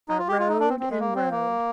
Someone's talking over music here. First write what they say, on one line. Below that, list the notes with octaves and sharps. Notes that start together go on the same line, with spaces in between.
I rode and rode.
D#4
F4
G4
F4
D#4
D4
C4
C4
G#3
A#3
C4
A#3